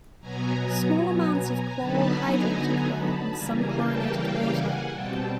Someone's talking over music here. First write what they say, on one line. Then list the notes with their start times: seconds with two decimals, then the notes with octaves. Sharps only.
Small amounts of chloral hydrate occur in some chlorinated water.
0.21 B2 F#3 B3 G#5 A#5
0.99 G#5 A#5
1.39 G#5 A#5
1.78 D3 F#3 B3 D#4 A5 B5
2.18 G#5 A#5
2.96 A5 B5
3.35 C#3 E3 G3 A#3 G#5 A#5
3.75 G5 A5
4.14 F5 G5
4.53 F#5 G#5
4.92 B2 G3 C4 G5 A5